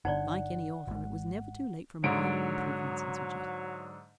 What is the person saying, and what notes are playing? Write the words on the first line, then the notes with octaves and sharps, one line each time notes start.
Like any author, it was never too late for minor improvements and suggestions.
G1 D3 D#4 C#5 D5 F#5
G#1 G#2
G#2 D3 F#3 D7